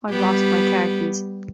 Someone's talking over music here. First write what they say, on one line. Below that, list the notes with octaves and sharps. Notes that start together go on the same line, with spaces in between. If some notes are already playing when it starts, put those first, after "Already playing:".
I've lost my car keys.
G3 B3 G4